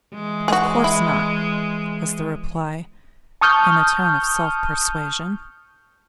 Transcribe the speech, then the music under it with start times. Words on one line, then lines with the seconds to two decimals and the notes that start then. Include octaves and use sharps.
'Of course not,' was the reply, in a tone of self-persuasion.
0.14 E3 G#3
0.48 F#4 G#4
0.84 E4
3.41 A5 C#6 D#6 F6 G6